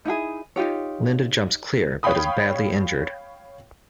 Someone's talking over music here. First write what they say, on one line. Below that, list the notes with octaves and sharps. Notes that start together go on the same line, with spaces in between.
Linda jumps clear, but is badly injured.
D#4 E4 G4 G#4
D#4 F4 G4 C#5
C#5 F5 G5 B5 D#6